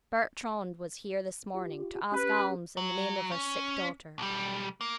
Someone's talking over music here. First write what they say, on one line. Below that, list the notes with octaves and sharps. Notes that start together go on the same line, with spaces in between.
Bertrande was here this morning to ask alms in the name of her sick daughter.
F4 G4
C#4 G4 B4
F#3
C#4
B1 G3
A#3